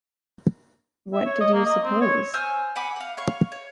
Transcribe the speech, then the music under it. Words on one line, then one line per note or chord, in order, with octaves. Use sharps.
What did you suppose?
E5
C#5
D#5
A#3
D#5
C4
C#5
C5 G#5 E6 F6
F#5 G#5 B5 D6
F5 F#5
C#5 F5 C#6
C#5